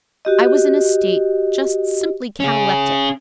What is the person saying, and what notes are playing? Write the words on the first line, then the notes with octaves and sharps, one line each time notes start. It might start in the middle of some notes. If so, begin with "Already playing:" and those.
I was in a state just simply cataleptic.
F#4 G4 D#5
C#4 G#4